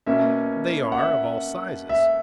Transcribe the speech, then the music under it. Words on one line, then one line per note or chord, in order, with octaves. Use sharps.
They are of all sizes.
B2 A#3 C#4 E5
F#5
E5
E5